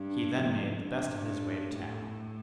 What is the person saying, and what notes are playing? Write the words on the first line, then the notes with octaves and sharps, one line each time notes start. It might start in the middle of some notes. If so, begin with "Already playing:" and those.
He then made the best of his way to town.
Already playing: G2
F2
G2
A2